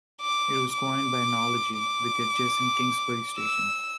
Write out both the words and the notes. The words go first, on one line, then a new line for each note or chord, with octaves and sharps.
It was coined by analogy with the adjacent Kingsbury station.
D6
D6
D6
E6